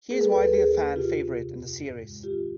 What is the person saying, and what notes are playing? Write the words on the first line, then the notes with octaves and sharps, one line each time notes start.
He is widely a fan favorite in the series.
A#3 G#4 A#4
A4 B4
D#2 A4 B4
A4 B4
D#2 G#4 A#4
A#3
C3 F4 G4
F2
C3
F2
G#2
G#3
D#3 F4 G4